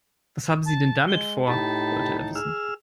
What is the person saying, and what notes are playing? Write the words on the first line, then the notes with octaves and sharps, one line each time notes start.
"Was haben Sie denn damit vor?", wollte er wissen.
A5
G#3 G7
A2 D#4 G4 A5 B5
G#4 E6 F6